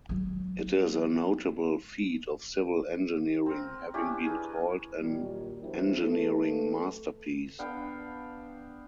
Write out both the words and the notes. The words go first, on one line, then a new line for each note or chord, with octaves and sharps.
It is a notable feat of civil engineering, having been called an 'engineering masterpiece'.
F#3 G#3
C4 A#4
C#4 D4 E4 G4
G#4 A#4 B4
A#2 D#3 F#3 G3
E3 F#3 D4 E4 G4 C5
A3 A4 B4
B3 D4 F5 G5